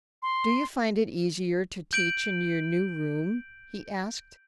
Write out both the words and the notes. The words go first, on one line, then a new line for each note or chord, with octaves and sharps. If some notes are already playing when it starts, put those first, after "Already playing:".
"Do you find it easier to teach in your new room?" he asked.
C6
G6 D7 F#7